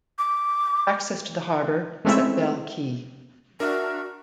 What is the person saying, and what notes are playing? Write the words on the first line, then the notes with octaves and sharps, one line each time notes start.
Access to the harbour is at Dell Quay.
D6
G#3 A3 C4 C#4 E4 E5
D4 F#4 A#4 E5 F6